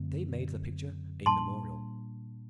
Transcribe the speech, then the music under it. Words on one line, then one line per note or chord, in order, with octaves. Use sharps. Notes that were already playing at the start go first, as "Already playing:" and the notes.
They made the picture a memorial.
Already playing: F#2 D3 A3 C4
A#2 G3 A#3 D4 A5 C6